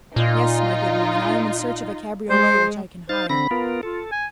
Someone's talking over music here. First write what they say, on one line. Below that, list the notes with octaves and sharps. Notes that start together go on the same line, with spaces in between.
"Yes, my good woman; I am in search of a cabriolet which I can hire."
A#2 D#4 F4
G#3 C5
D#4 C5 F5 A6
D3 C4 B5 A#6
B3 F4 A#4
F4 A4
G#5